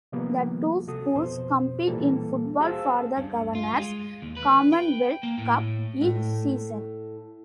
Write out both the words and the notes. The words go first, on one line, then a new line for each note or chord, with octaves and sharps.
The two schools compete in football for the Governor's "Commonwealth Cup" each season.
C3 D#3 F3 G3 A#3 B3
C3 F#4 A4 D#6
F2 B2 C5
A#2 E3 G3 A#3 A4
F#4 G#4 C5 F5 A5 E6
G2
F4
G#3
D#2
B4
G5
A#3
A2
A2